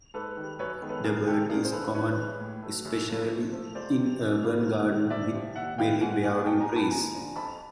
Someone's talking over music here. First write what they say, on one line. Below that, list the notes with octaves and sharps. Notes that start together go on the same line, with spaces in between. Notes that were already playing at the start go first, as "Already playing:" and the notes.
The bird is common especially in urban gardens with berry bearing trees.
G#2 A4 B4
D#3 G3
F#2 B4 C#5
D#3 G#3 B3
A4 B4
D2 G#4 A#4
C3 D#3 G4 A4
G2 G#4 A#4
C5
D3 F3 A4 B4
G2 B4 C#5
E3 G#3
A2
F#3 A3
F#2
C#3 F3 A3
G#2
F3 A3
C#2 C5 D5
C3 F3
F#2
C#3 F#3
D2
C3 D#3
D2 D5 E5
C3 F3
D#2 E5 F#5
D#3 G#3 B3 F5 G5
G#2 F#5 G#5
F3 A#3 F#5 G#5
B2 G5 A5
G#5 A#5
G3 B3
A5 B5
D#2 G#5 A#5
D3 F3
F2 A5 B5